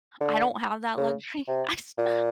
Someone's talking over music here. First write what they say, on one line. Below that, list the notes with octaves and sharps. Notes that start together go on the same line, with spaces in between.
I I don't have that luxury. I sta
D3
C#3
C3
A#2